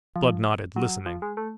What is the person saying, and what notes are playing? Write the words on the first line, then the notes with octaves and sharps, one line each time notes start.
Blood nodded, listening.
F3
F#3
F3
G#3
A3